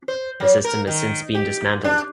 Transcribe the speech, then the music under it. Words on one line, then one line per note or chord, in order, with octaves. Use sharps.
The system has since been dismantled.
C5
F#3
A#4
D#3
G4
D4